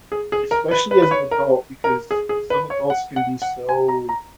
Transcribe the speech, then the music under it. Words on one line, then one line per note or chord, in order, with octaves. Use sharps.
Especially as an adult because some adults can be so
G#4
G#4
A#4
B4
B4
B4
C#5
A#4
A#4
G#4
G#4
B4
C#5
F#5
F#5
F#5
G#5
A#5
A#5